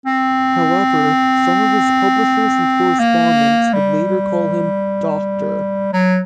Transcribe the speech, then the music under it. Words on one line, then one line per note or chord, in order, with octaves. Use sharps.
However, some of his publishers and correspondents would later call him "Doctor".
C4
A#3
G3
F#3